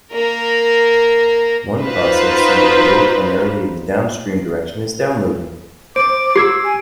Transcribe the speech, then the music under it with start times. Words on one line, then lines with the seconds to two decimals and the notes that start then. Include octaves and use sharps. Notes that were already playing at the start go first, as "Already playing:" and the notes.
One process sending data primarily in the downstream direction is downloading.
0.12 A#3 A#4
1.80 D#4 F4 F#4 B4 C5
5.96 C5 D6 D7
6.36 G4 E6 G#6 C7
6.65 G#5